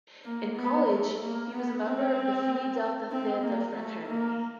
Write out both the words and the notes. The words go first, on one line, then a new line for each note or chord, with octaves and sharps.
In college, he was a member of the Phi Delta Theta fraternity.
A#3
B3
A3
A#3
B3
C4
C4
A#3
A3
A#3